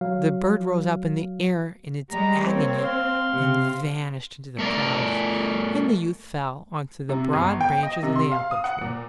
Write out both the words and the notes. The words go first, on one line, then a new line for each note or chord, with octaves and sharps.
The bird rose up in the air in its agony and vanished into the clouds, and the youth fell on to the broad branches of the apple-tree.
F#3 F5
G3 G#3 A#5
A#3 C4 C#5
F5 C6
C3
A3 A#4 D5
C3
G1
G5
D#5
C3
C6
F5
D#6
F#5
A#2